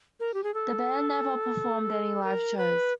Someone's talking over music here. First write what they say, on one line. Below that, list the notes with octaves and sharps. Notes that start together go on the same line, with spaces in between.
The band never performed any live shows.
A#4
G4
G#4
A4
A#4
B4